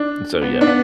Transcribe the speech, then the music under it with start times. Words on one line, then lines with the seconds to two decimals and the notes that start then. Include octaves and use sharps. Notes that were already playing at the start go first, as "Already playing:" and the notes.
so, yeah,
Already playing: D4
0.42 B3
0.61 D4
0.67 B3